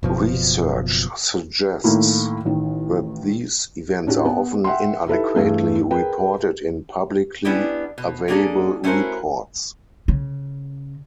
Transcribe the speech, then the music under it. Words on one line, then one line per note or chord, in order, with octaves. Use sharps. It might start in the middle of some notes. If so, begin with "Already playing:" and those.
Research suggests that these events are often inadequately reported in publicly available reports.
F#1 B2 F3
A2 D#3 A3 A#3 E4
A1 D#3
A2 C#4 D4 F#4 G4
B3
E5 F#5 G5 C6
D#4 E4 G4 A4 B4 E5
G2 E3 A3 G#4
G#4 A#4 B4 G5 B5
B3 C#4 D4 E4 G4
B2
A#3 B3 C#4 D4 G#4 A4
A3 C#4 E4 F#4 A#4 C5
C#3